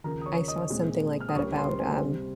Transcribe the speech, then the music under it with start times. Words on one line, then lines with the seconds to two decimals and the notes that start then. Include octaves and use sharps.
I saw something like that about, um
0.04 D#2 C#3 F3 A#4 A#5
0.22 D#6
0.26 C#5 C#6
0.48 D#5 D#6
0.70 A#2 G#3 C4
1.20 F6
1.29 D#6
1.35 C#2 C#3 G3 A#3 C#5 C#6
1.57 C5 C6
1.79 G#4 G#5
2.01 C3 G3 C4